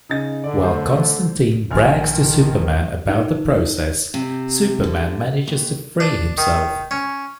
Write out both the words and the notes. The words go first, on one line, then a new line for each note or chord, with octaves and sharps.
While Constantine brags to Superman about the process, Superman manages to free himself.
C#3 D#4 A6
D3 D5
A3 C5
A#1 D#3 G#5 F6
D#4
C3
D3
D#2
D4
D#3
C#4